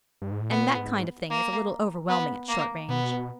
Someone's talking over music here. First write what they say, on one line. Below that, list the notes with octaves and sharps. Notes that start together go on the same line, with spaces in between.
And that kind of thing is a little overwhelming at short range.
G2
G#2
A2
A#2 B3
G#2
A#3
B3
A#3
B2 B3